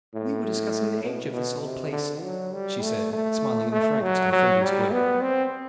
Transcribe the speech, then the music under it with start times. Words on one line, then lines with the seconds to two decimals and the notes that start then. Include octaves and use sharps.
"We were discussing the age of this old place," she said, smiling in the frankest and friendliest way.
0.14 A2
1.04 B2
1.33 B2
1.63 C3
1.92 D3
2.22 F#3
2.53 G3
2.83 A3
3.13 A3
3.72 A3
4.01 F#3
4.33 F#3
4.62 G3
4.92 B3
5.21 C4